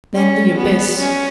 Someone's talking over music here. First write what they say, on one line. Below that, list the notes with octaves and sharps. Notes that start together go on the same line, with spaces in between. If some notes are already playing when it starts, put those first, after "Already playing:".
Then the abyss.
C#4
B3
C#4